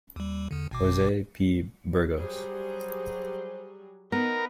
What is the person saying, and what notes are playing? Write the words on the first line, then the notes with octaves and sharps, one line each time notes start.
Jose P. Burgos.
D#2 G3
E2 D3
G#1 B2 D6
F#3 G3 G#4 C5
B3 D#4 A#4 B4